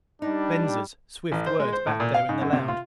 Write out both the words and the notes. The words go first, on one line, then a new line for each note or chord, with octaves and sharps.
Venza's swift words back there in the lounge.
G3 D4 D#4
A1
C5
G#3
C5
A2
A#2
F5
G#2
F#2
C3
F4